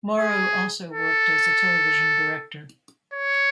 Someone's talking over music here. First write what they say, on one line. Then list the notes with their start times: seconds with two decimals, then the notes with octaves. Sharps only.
Morrow also worked as a television director.
0.18 G#4
0.91 A4
3.14 C#5